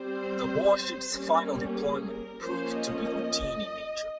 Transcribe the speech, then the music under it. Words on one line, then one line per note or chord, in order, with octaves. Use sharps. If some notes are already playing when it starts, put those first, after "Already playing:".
The warship's final deployment proved to be routine in nature.
Already playing: G3 C4 C5
G3 A#3 C#4
G#4
A#4
F3 A#3 C#4 C5
D#5